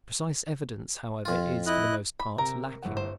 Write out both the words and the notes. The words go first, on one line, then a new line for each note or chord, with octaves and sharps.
Precise evidence, however, is, for the most part, lacking.
F2 F4
E4 D#5 F#6
B5
C3 A#4
G1 A2 F#5
C5